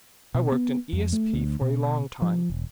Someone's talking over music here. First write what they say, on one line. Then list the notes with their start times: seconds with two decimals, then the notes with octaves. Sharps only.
I worked in ESP for a long time.
0.34 B2
0.52 B3
0.93 F2
1.13 A3
1.33 D2
1.61 B2
2.22 F3
2.50 E1